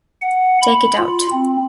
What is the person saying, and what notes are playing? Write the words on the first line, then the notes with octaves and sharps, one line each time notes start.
Take it out!
F#5
B5
F4
C4